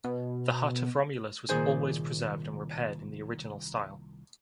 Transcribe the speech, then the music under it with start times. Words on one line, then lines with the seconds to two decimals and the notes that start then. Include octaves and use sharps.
The hut of Romulus was always preserved and repaired in the original style.
0.04 B2
1.49 C2 A#2 D#3 G#4 C5 G#5